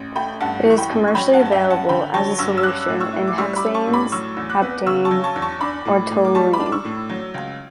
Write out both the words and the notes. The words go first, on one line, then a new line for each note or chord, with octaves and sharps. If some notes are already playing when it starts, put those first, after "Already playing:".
It is commercially available as a solution in hexanes, heptane, or toluene.
Already playing: A1
A3 G5 B5
G2 F#5 A5
E3
C#6
G5 B5
A1
C#6
F#3 G5 B5
F#5 A5
G2
A5
E5 G5
C#4
F#5 A5
D3 G5 B5
F#3 A5 C#6
G2 C#6 E6
E6
C#4 D6 F#6
A2
C#6 E6
E4
D6
G3 C#6 E6
B5 D6
C#4
A5 C#6
A2
B5 D6
F#3 C#6 E6
E2
D6 F#6
B3
C#3 C#6 E6
A5 C#6
F#3
A5 C#6
E2
A5 C#6
D4 B5 D6
A2
A2
D6
G3 A5 C#6
B5 D6
D4
D6
C#6 E6
A2
F#3
C#2